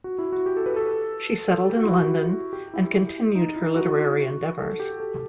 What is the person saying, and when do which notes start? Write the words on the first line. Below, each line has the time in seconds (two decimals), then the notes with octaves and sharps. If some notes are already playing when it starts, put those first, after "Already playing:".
She settled in London and continued her literary endeavours.
0.04 F#4
0.19 E4
0.32 F#4
0.46 G4
0.57 A4
0.66 B4
0.76 A4
1.70 G4
1.76 F#4
1.85 E4
1.91 F#4
2.53 G4
2.74 E4
3.35 D#4
3.56 E4
3.76 F#4
4.59 A4
4.80 G4
5.00 A4